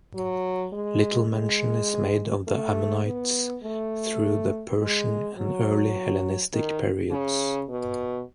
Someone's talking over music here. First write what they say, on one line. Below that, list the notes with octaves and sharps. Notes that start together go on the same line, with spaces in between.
Little mention is made of the Ammonites through the Persian and early Hellenistic periods.
F#3
G#3
G#3
A3
B3
A3
G#3
F#3
D#3
C#3
B2